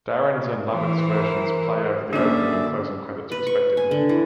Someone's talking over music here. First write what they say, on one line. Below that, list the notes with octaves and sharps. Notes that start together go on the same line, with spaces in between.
Darin's and Lovett's versions play over the opening and closing credits, respectively.
E3 C5
A#4
F#2 D3 A#3 C#4 G#4 D5 E5
B4
C#6
G#5
D3
E3